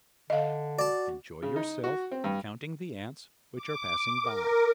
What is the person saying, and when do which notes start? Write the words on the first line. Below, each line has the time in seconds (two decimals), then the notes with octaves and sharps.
"Enjoy yourself counting the ants which are passing by."
0.30 D3 D#5 F5
0.79 F#4 D5 A5
1.42 C#3
1.56 D#4
1.84 F#4
2.11 C4
2.24 G2
3.55 D6
4.22 A#4